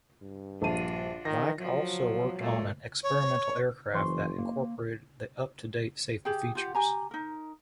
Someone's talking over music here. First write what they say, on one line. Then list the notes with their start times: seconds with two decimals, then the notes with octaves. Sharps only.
Weick also worked on an experimental aircraft that incorporated the up-to-date safety features.
0.22 G2
0.62 A#1 D4 F4 F#4 A5 D#7
1.25 D#3 A#6
1.59 F3 F#3
2.39 A#2 G#3 A3
3.03 C#5
3.94 F#1 E3 C5 C6 C#6
4.38 A#3
6.25 G4 G#4 G5
6.55 F4 G4 F#5
6.75 G4 G#5 A#5
7.11 D#4 A#4